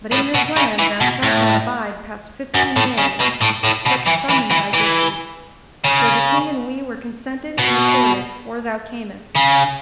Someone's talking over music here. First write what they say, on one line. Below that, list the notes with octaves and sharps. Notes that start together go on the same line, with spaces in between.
But in this land thou shalt not abide past fifteen days, such summons I give thee: so the king and we were consented and accorded or thou camest.
A2
B2
C#3
E3
B2
A2
F#2
A2
C#3
B2
A2
A2
B2
E3
E3
E3
E3
C#3
B2
C#3